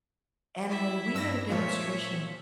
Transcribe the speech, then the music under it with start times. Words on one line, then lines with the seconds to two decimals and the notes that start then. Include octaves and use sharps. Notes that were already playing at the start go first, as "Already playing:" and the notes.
and when we had a demonstration,
0.70 E4 E5
1.14 G2 E4 E6 A#6
1.50 A#2 F3 C#5 E5